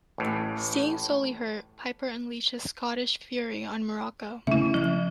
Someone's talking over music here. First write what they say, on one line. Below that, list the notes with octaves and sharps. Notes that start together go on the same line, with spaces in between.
Seeing Solie hurt, Piper unleashed his Scottish fury on Muraco.
A1 A2
C#3 A3 C#4 E4 E5
F3